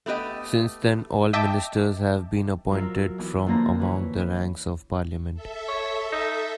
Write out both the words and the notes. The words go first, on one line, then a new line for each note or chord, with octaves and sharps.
Since then, all ministers have been appointed from among the ranks of Parliament.
A3 B3 G4 D#5
D#5 E5 G5 A5 D6
F#3 F4 A#4 E5
E3 B3 E4
D3 F3 A#3 B3 A#5
E3 B4 C#5
A4 E5
C#5
D#4